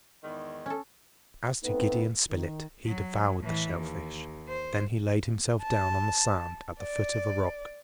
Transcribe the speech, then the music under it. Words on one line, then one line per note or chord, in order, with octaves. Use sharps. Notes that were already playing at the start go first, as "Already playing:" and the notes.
As to Gideon Spilett, he devoured the shell-fish, then he laid himself down on the sand, at the foot of a rock.
E2 G#2 D#3
C#4 A4
A3 B3 C4 D#4 B4
D#3
F#3
A2 E3
D#2
C5
A5
D5